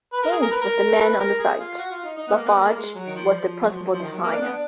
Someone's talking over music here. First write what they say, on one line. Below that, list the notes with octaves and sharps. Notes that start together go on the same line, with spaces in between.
Heins was the man on the site; LaFarge was the principal designer.
B4
A#4
G#4
A#4
B4
A#4
B4
A#4
G#4
F4
F#4
F4
D#4
D#4
B3
A#3
B3
A#3
A#3
G#3
F#3
D#3
F3
F3
F#3
F3
F#3
F3
D#3
F#3
A#3
D4
B3
D4